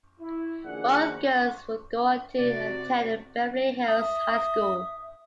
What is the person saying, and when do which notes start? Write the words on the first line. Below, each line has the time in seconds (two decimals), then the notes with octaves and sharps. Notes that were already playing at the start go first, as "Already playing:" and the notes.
Both girls would go on to attend Beverly Hills High School.
0.20 E4
0.65 A#1 B2 D#3 D4 G#4 F#5
2.38 C3 F#4 D5
3.88 E5 D#6